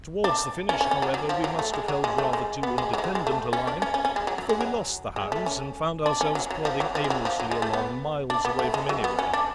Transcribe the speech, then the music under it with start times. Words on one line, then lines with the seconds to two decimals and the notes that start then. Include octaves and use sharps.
Towards the finish, however, we must have held rather too independent a line, for we lost the hounds, and found ourselves plodding aimlessly along miles away from anywhere.
0.24 D4
0.69 C#4
0.81 C#4
0.91 C#4
1.02 F#3
1.14 F#3
1.29 F3
1.44 F#3
1.59 A3
1.74 G#3
1.88 F#3
2.04 G#3
2.18 A3
2.33 G#3
2.63 B3
2.78 G#3
2.93 F#3
2.98 G#3
3.04 F#3
3.15 G#3
3.27 A3
3.53 C#4
3.67 D4
3.82 C#4
3.94 C#4
4.05 C#4
4.16 G#3
4.27 F#3
4.38 F#3
4.49 G#3
4.61 F#3
5.16 G#3
5.32 A3
5.46 C#4
6.06 D4
6.21 C#4
6.35 F#3
6.51 F#3
6.65 F3
6.80 F#3
6.95 F3
7.04 G#3
7.10 F#3
7.25 F3
7.40 F#3
7.51 G#3
7.62 A3
7.73 B3
8.30 D4
8.45 B3
8.59 A3
8.74 G#3
8.89 F#3
9.04 B3
9.19 C#4
9.33 D4